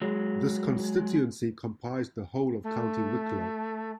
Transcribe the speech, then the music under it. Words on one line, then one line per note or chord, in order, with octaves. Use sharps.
This constituency comprised the whole of County Wicklow.
F#3 G#3
A3